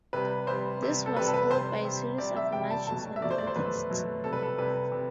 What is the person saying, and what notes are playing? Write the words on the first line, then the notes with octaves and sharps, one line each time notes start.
This was followed by a series of marches and protests.
C3 G3 B4
C3 G3 C5
C3 G3
A4
C3 G3 B4
A4
B4
C3 G3 C5
C3 G3
C3 G3 D5
E5
C3 G5
G3
A5
B2 F#3 A3 A5
E5
B2 F#3 A3 D5
C5
D5
C5
B2 F#3 A3 B4
B2 F#3 A3
C3 G3 A4
B4
A4
C3 G3 B4
C3